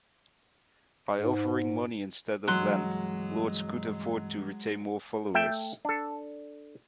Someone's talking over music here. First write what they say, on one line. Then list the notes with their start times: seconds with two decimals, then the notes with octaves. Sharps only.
By offering money instead of land, lords could afford to retain more followers.
1.14 G#2
2.48 G2 E3 F#3 G#3 C6 F#6
5.34 A3 E5 G5
5.85 D4 A4